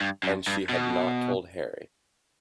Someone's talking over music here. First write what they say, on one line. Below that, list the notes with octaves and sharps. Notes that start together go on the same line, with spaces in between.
And she had not told Harry!
G2
F#2
G2
B2